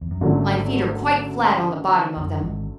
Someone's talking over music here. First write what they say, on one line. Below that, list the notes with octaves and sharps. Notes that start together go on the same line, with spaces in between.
My feet are quite flat on the bottom of them.
E2
F#2
G#1 G#2 D3 F#3 A3 C#4 G#4
E2
F#2
G#1 G#2